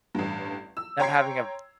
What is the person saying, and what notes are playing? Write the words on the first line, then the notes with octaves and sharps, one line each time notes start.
them having a
A1 G2
E6
C#5 G5 A#5 C6 G#6 C7